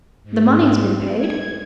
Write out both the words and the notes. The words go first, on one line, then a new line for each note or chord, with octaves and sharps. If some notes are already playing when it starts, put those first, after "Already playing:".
The money has been paid.
G#2
G#6